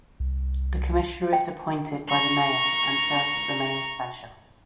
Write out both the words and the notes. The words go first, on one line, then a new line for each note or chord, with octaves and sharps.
The Commissioner is appointed by the Mayor, and serves at the Mayor's pleasure.
C2
G5
A#5 C#6